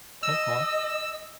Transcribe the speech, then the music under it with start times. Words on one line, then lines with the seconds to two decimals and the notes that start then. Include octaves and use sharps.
Oh, cool.
0.23 D#5 E6